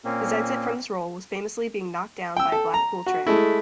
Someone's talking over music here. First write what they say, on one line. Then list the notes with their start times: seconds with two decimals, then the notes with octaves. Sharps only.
His exit from this role was famously being knocked down by a Blackpool tram.
0.05 A#2 A#3 C4 C#4
2.37 G5 E6
2.52 A4
2.74 A#5
3.06 F#4
3.27 G#3 A3 E4